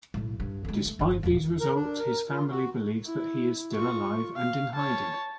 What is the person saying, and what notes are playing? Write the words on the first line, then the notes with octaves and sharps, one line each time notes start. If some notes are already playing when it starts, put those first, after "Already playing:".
Despite these results, his family believes that he is still alive and in hiding.
B1 A2
G2
D3 G#3
A3
G1 D#2
D#1 E2
A#4
D4
A#4
F4
F#4
E4
F4 C#6
F5
C#5 A5